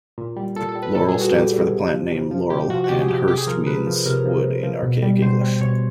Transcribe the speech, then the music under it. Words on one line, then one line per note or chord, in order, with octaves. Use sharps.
Laurel stands for the plant name Laurel and hurst means wood in archaic English.
A#2
G3
A#2 A4
A4
G3
B4
A#2 A4
G#4
G3
F#4
A#2 G4
G3
C3
F3
C3
F3
C3 G4
F3 F#4
F#4
C3 G4
G#4
F3 G4
C3 G4
G#4
F3 A#4
C3 B4
F3
C3 A#4
F3
C3
F3
B2
G3
B2 C5
G3
B2 C#5